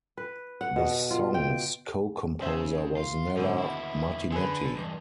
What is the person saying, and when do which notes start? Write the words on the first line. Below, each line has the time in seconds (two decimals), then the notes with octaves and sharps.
The song's co-composer was Nella Martinetti.
0.17 B4
0.61 F#5
0.76 B2
1.11 F4
1.34 G5
2.42 C#3 C5 E5
2.97 F4
3.37 G#2 B2 D3
3.58 D#2 E4
4.32 D3 G#4 B4
4.76 E2 G2